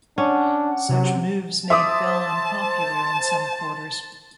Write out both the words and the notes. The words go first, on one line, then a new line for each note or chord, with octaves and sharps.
Such moves made Bell unpopular in some quarters.
C#4 D4 F#5
C3 F#3
C5 E5 A5 D6 D#6